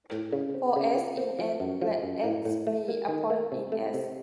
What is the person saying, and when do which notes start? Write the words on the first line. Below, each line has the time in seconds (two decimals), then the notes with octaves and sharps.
For "S" in "N", let "x" be a point in "S".
0.12 A2
0.32 C#3
0.54 C4
0.76 C#3
0.97 F4
1.17 C4
1.39 F3
1.60 F#2
1.82 F3
2.03 F#2
2.24 A2
2.45 A2
2.67 A3
2.88 A#3
3.08 D#3
3.30 A#3
3.52 C3
3.72 A3
3.94 C3